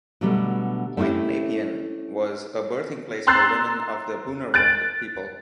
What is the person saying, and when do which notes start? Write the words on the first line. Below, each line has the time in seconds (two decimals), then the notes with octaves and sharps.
Point Nepean was a birthing place for women of the Boonerwrung People.
0.21 B2 D3 F#3 G3 A3 B3
0.97 A3 C4 C#4 E4 G4
3.27 A#5 C6 E6 F#6 A6 C7
4.54 F#6 A6 D7